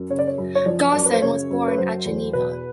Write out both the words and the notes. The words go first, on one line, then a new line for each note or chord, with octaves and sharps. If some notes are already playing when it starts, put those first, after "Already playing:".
Gaussen was born at Geneva.
Already playing: F#2
C#3 C#5
D5
C#5
F#2
C#5
F3 D5
F#2 D5
B4
C5
C#3 C#5
F#2
B4
F#3 C5
E2
B2 B4